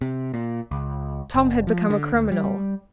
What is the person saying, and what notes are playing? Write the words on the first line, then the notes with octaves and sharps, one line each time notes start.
Tom had become a criminal.
C3
A#2
C#2
F#1
F3
D3
D2
G3